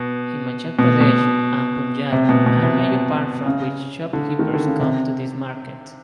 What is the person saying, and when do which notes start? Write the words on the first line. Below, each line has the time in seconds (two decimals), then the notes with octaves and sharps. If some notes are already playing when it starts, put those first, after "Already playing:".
Himachal Pradesh and Punjab are major parts from which shopkeepers come to this market.
Already playing: B2
0.79 B2
1.01 B2
2.12 C3
2.29 B2
2.46 B2
2.63 C3
2.79 C3
3.46 C#3
4.13 D3
4.39 D#3
4.54 D3
4.67 C#3
4.80 C3